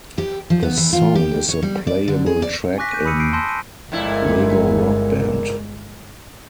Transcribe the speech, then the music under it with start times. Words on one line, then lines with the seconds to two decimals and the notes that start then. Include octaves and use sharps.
The song is a playable track in "Lego Rock Band".
0.18 G4
0.50 F3
0.63 B3
0.77 E3
0.93 F4
1.15 G4
1.48 C#5
1.62 G3
1.87 D5
2.08 D3
2.26 G#4
2.42 D5
2.78 G#5 C#6 D6 F#6 A#6 B6
2.91 G6 D#7
3.05 B5 D#6 E6 C#7 D#7
3.20 G6 C7 D7
3.33 A5 C6 E6 G6 A#6 B6
3.49 D#7
3.92 G1 F2 A#2 G#3 E4